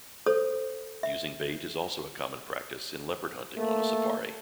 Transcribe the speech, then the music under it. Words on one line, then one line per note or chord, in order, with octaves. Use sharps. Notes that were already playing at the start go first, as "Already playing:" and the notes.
Using bait is also a common practice in leopard hunting on a safari.
A4 C5 C#5 D#6
E5
A3 A#3